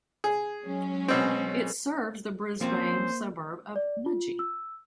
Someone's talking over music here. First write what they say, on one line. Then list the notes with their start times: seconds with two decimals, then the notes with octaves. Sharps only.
It serves the Brisbane suburb of Nudgee.
0.24 G#4
0.63 F#3 G#3 C#4
1.08 B2 C4
2.61 F3 A#3 C4 C#4 C5
3.76 D5
4.06 F4
4.39 E6